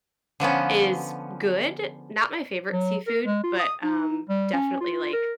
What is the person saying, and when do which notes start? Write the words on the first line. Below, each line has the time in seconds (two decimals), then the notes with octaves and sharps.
is good, not my favorite seafood but, um, definitely like
0.40 D3 F3 B3 C#4
2.72 F#3
3.07 A#4
3.25 G#3
3.44 F4
3.60 D#6
3.83 D#4
4.29 G3
4.53 C#4
4.81 F4
5.13 A#4